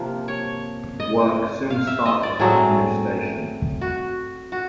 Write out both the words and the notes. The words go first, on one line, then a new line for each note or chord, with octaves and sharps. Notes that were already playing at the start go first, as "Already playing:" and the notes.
Work soon started on a new station.
Already playing: C3 F3 A#3 D4 C5
C#5
D#5
F5
E5
D#5
D5
A2 F#3 A3 C4 G#4
F#4
F#4